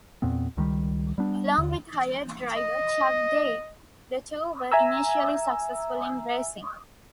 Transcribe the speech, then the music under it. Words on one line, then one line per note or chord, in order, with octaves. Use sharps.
Along with hired driver Chuck Daigh, the two were initially successful in racing.
E2 A#2 B3 C4
C#2 D#3 E3 G3
G3 B3 D4
D#2 D3
D#5
E5 G#5 A#5 E6